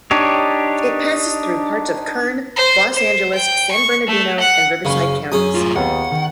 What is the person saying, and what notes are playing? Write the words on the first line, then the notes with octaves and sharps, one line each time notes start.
It passes through parts of Kern, Los Angeles, San Bernardino, and Riverside counties.
D4 D#4 G4 C#5
C5
C5
G5
C#6
A3
F#5
F#1 C#3 C#4 F5 B5
F#2 C#4 G#4 D#6
A2 F4
D#2 B3 F#5
D#3